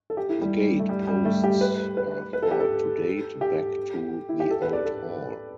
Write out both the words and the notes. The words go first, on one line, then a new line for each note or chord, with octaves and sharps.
The gate posts are thought to date back to the Old Hall.
A4
G4
E4
G3
A3
G3
G3
A3
G4
B4
B4
B4
A4
G4
A4
G4
E4
G4
A4
B4
D5
A4